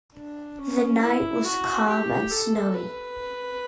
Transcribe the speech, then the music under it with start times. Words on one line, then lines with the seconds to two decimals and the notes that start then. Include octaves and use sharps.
The night was calm and snowy.
0.15 D4
0.59 C#4
1.02 E4
1.45 F#4
1.88 G4
2.31 A4
2.74 B4